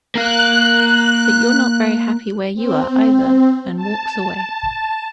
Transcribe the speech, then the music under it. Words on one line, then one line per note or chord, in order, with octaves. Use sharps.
But you're not very happy where you are, either, and walks away.
A#3 F5 F#6
C4
A5